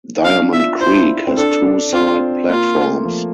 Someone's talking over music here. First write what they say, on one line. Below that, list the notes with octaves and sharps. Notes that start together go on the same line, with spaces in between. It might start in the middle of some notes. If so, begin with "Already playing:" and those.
Diamond Creek has two side platforms.
D4 F5
F4 E5
E4 C5
C4
D4 A4
D4
C4 F4
A#3 F4
A3
F3